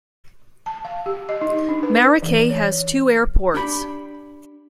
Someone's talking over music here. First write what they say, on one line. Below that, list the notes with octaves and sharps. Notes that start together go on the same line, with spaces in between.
Maracay has two airports.
A5
F5
G4
D#5
D#4
D4
B4
E3
C#5
D4 G4 B5